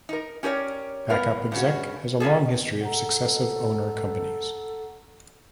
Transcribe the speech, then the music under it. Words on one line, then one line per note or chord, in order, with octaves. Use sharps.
Backup Exec has a long history of successive owner-companies.
D#4 A#4
C#4 G4 A#4 C#5 D5
G3 B3 A#4 B4 F5
G2 C#3 F#4
A#3 C#4 G#4 A4
A4 F#5 A#5